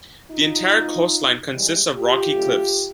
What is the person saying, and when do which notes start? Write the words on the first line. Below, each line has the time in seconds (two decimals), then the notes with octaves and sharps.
The entire coastline consists of rocky cliffs.
0.30 D#4 F4
0.71 B2 G#3
1.51 G#2 E3 G3
1.92 F4 G4
2.31 D2 D3 F#3 A3